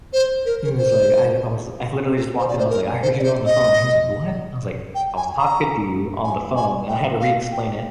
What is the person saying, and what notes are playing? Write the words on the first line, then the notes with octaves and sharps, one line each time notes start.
He was like I I was I literally just walked in. I was like, "I heard you on the phone." He was like, "What?" I was like, "I was talking to you on the phone," and I had to re-explain it-
C5
A#4
A#4
C5
C5
D5
C5
A#4
C5
D5
C5
D#5
G5
G#5
A#5
G#5
G#5
G5
F5
G5